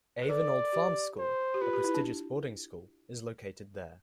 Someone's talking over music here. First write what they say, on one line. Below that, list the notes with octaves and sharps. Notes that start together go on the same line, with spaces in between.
Avon Old Farms School, a prestigious boarding school, is located there.
B4
A4 D5
G4
C5
G4
F4 B4
G4
E4
D4